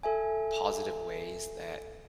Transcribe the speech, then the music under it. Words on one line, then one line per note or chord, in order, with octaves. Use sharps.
positive ways that,
A4 E5 G#5